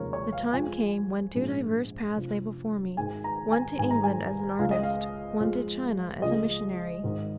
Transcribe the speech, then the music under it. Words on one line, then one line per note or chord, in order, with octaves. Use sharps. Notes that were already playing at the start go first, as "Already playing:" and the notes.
The time came when two diverse paths lay before me--one to England, as an artist; one to China, as a missionary.
Already playing: F1 D#2 C#3 F3 G#3 A#4 C#5
C#5
F5
F2 F3 G#3 G#5
A#1 G#2 F3 G#3
F1 F2 F3
G#1 G#2 D#3 G#3 G#5
A#5
G#5
G#1 G#2 G#3 G#5
A#5
G#5
C#2 C#3 G#3 F5
D#5
F5
F2 F3 G#3
C#2 C#3 F3 G#3 D#5
G#1 G#2 D#3